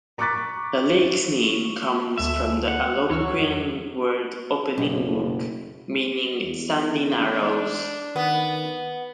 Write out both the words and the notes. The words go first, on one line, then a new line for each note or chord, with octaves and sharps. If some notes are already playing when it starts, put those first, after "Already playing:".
The lake's name comes from the Algonquian word "opeauwingauk" meaning "sandy narrows".
A#5 C#6 D6 F#6 A6 B6
C#6
D2 G#3 A4 E5
F#5
D2 F#3 C#5 E6 F6
F2
F#1 B1
E2
D4
D#3 B3